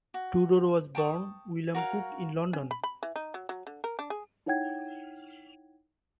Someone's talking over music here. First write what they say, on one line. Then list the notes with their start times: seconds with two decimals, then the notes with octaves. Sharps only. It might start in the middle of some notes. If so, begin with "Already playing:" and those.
Tudor was born William Cook in London.
0.14 F#4
0.95 G5 A5 C#6 D#6
1.74 F#4 A#4 C#5 F5
2.53 C#4
2.71 B5
2.84 B5
3.03 E3
3.16 D#4
3.34 F#3
3.49 F#3
3.67 D3
3.84 A#4
3.99 D4
4.10 G#4
4.46 D#4 E4 C#5 F#5 G5 G#6